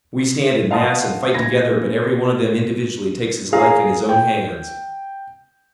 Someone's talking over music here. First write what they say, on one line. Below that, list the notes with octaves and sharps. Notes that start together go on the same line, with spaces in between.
We stand in mass and fight together, but every one of them individually takes his life in his own hands.
D#5 F5 F#5 A5 C6 D#6
A#2 B5 G#6 A#6
G#4 F5 A#5
G5